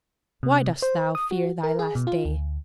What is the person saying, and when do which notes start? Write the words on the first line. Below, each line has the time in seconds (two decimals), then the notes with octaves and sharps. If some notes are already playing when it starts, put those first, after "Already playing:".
Why dost thou fear thy last day?
0.43 C3
0.82 C5
1.15 D#6
1.31 F#4
1.63 A#4
1.79 G#4
1.95 B2
2.07 F4
2.25 D2